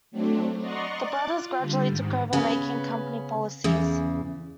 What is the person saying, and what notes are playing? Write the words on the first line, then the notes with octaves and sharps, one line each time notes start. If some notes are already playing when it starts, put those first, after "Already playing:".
The brothers gradually took over making company policies.
F#3 A3 C4 D4
D5 D#5 F#5 A#5 C6 C#6
D6 F#6 A6
F4
D3 G3
G#2 D#3
C#3 B3 C#4
E2 C#3